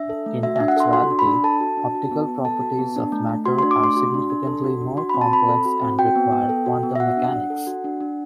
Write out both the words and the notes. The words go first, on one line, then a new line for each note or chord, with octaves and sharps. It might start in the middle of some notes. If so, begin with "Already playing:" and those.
In actuality, optical properties of matter are significantly more complex and require quantum mechanics.
Already playing: D4 E5
A4
A3
F#4 E5
D4 E5
F#5
A4 C6
F#4 C6
D4
B5
D4
A4 A5
F#4
D4
F#4
B3
B3
A4 A5
F#4
B3
D4
A3
A3
F#4 C6
D4 C6
D6
A3 C6
F#4
D4
D4
A4
F#4
D4
F#4 C6
C4 B5
A5
C4 B5
A4
F#4
C4
F#4 G5
B3
B3
A4
F#4
B3
E5
F#4 F#5
D4
D4
A4
F#4
D4
D4